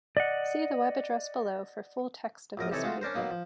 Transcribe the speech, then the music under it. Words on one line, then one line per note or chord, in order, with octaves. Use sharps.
See the web address below for full text of this paper.
D5 D#5 F#5
A#1 F#2 A#4 D#6
C3 E3 D#4 A4 C#5
G#3 A3 F4 F#4
C#4 D4 A#4 C5
B2 F#3 A#3 D#4
F3